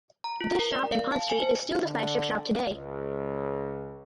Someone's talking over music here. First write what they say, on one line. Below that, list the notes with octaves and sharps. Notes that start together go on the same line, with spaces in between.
This shop in Pont Street is still the flagship shop today.
A#5
F4
A#4
D5
F5
A5
G#5
C5
D3
C#2